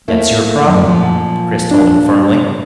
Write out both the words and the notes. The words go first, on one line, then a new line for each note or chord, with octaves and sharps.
"That's your problem," Chris told him firmly.
A3 A#3 E4
F#2
A#2 F3
D4